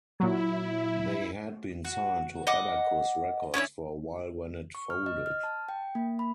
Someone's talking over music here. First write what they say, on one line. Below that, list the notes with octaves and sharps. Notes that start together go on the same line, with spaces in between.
They had been signed to Abacus Records for a while when it folded.
A#2 F#3 E4
F#4
D#5 F#5 D6
C#4 D4 E4 C#5
C#6
F6
D#5
F6
A5
G5
A#3
B5